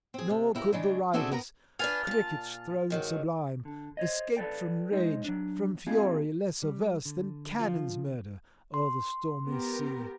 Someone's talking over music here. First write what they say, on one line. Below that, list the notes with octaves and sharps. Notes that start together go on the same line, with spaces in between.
Nor could the riders, crickets throned sublime, escape from rage, from fury less averse than cannons murder o'er the stormy sea.
C4 G#4
C3
C#3 E4 G4 A4 A#4
C#3 G#3 D4
C4 D4 F#4 G#4 A4 E5
B3 A#4 A#5
D4 F4 B4 G#5
A#2 A5
G#2 D#3 F#3
D3
C5 C#5 D#5
A4 B4 D5 G5
G#3 D#4 C5 C#5 D#5
F#3 D4
A#3 C4 D#4 F4 F#4 G#4
G3
D3
F3 F4
C6
B3 G4 A#4